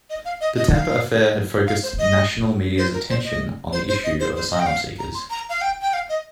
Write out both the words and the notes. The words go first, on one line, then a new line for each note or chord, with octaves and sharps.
The Tampa affair had focused national media's attention on the issue of asylum seekers.
D#5
F5
D#5
D#5
F5
F5
C5
D#5
C5
A#4
C5
D#5
C5
C5
D#5
C5
C5
D#5
G5
F5
A#5
C6
A#5
F5
G5
G5
F5
D#5